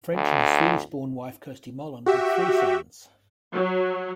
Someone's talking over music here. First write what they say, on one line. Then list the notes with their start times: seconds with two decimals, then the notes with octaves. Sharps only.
French and his Swedish-born wife Kersti Molin had three sons.
0.15 D2
2.06 F#4 G4 E5
3.52 F#3